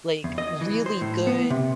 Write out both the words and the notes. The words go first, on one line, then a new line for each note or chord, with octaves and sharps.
like, really good,
E2
D#5
E3
C5
A2
B3
C3